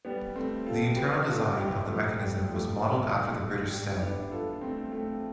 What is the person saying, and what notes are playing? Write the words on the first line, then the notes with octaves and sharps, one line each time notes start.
The internal design of the mechanism was modeled after the British Sten.
G3 B3
A3 C4
F4 A4
G4 B4
F4 A4
E4 G4
F3 A3
G3
F3 A3
G3
E4
B3 D4
F4 A4
A3 C4
A3 C4